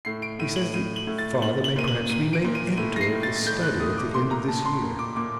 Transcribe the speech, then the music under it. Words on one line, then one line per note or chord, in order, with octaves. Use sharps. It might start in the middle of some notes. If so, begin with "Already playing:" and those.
He says that father may perhaps be made editor of The Study at the end of this year.'
A2 C7
D7
A2 D#7
F#7
A2 D#7
F#7
A2
A6
A#2 F#7
F#7
A#2 D#7
F#7
A#2 D#7
D7
A#2
D#7
A2 D#7
A#6
C7
A2
A6
A6
A2 G6
F#6
A2 D#6
D6
A#2 C6
A#5
A#2 A5
C6
A#2
D6
A#2 D6